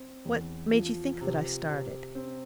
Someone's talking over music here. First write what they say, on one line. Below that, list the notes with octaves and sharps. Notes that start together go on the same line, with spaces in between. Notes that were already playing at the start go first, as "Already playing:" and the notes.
What made you think that I started?
Already playing: C4
E2
F3
C3
C3
C4